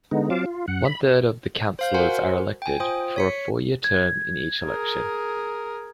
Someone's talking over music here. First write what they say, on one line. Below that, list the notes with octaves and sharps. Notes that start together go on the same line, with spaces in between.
One third of the councillors are elected, for a four-year term, in each election.
D3 G#3 B3 D#4
F#3 C4 F4 F5 A5 D6
F4
F#2 F#5
B5
C5 F5 G6
F#4 A#4 C5 F#5 G#5 C6
G5 G#5
F4 C5 G5 D#6
C#5 B6 C#7
G#6
G#4 A#4